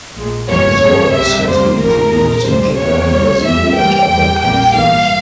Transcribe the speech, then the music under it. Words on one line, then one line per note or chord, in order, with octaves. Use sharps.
His work has been produced in Japan, Brazil and other countries.
A#1 A#2 G#3
G1 F2 E3 G3 A#3 C#5
G#1 G2 F3 G#3
C2 C3 G3 E5
F2 C3 G3 A#3 C5
G#1 G#2 F3 A#3 A#4
A#1 A#2 G#3
F2 C#3 G3 C5
E2 C#3 F3 A#3 C#5
C2 C3 E3 G3 A#3
F2 E3 G3 E5
G2 E3 G3 A#3 G5
E2 E3 G3 G5
A#1 A#2 G3 A#3 G5
G#1 G2 E3 A#3 F5